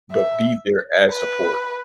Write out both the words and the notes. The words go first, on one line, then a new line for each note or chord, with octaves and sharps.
but be there as support.
E5
B4